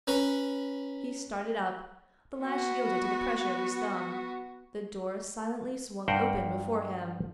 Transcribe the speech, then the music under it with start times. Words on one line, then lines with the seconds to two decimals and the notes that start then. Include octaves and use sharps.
He started up, the latch yielded to the pressure of his thumb: the door silently swung open before him.
0.07 C#4 B4 A#5 B5 C#6
2.41 B3 F#4
6.08 G2 A#4 C5 F#5 G5